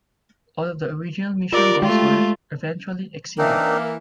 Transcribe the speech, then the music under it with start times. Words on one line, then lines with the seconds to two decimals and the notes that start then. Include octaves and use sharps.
All of the original mission goals were, eventually, exceeded.
1.53 F4 G4 A#4 D5
1.82 G#3 A3 F4
3.38 E3 A#3 C4 D4 D#4 A#4